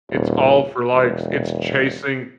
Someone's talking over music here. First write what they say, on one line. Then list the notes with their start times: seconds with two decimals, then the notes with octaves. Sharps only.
It's all for, likes, it's chasing
0.10 D#1
0.92 E1